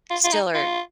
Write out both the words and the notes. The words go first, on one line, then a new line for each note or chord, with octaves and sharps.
still are
F4
F4
D#4
F4